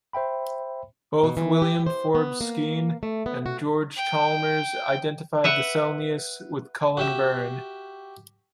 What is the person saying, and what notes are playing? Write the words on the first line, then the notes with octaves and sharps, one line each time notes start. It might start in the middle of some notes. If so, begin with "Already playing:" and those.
Both William Forbes Skene and George Chalmers identified the Celnius with Cullen Burn.
C5 E5 G5 B5
B2
E3
G4
C5
B3
A#3
A3
B3
F#4
G5
B4 E5 F#5
F#4 G4 E5